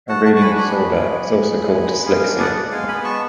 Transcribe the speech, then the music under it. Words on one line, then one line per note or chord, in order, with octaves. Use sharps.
Reading disorder is also called dyslexia.
F#4 F#5 A5
F#5 A5
F#4
A5
G#5 B5
D4
G#5 B5
B3
G#3
G#3
B3
G#3
G#3
B3 F5 G#5
D4
D5 F#5
G#3
G#3 F5 G#5
G#5 B5
B3
A5 C#6